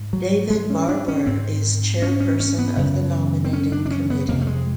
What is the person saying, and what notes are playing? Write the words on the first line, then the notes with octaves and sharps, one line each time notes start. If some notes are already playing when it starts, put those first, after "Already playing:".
David Barbour is chairperson of the nominating committee.
Already playing: G#2
F#3
G#3
C#4
D4
C#4
G#2 C4
C#4
C#4
C#4
B3
F#2 C#3
C4
C#4
D4
D4
C#4
B3
F2 C3 A#3
A3
G#3